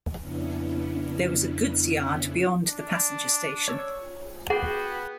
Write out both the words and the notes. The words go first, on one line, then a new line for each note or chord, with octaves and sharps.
There was a goods yard beyond the passenger station.
F2 C#3 B3 C#4 D4 E4
D4
C#5 C#6 E6
B3 F#4 G#4 F#5 G5